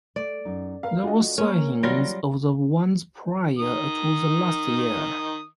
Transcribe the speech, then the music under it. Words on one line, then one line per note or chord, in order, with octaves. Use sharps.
There were sightings of the ones prior to the last year.
A3 D5
F#2 D#4
A#4 B4 F5
A3 D4 F4 F#4 D#5
A#3 C#4 A#4
D#3 F#3 G3 A#3 F4 A#6 D7
D#3 D#6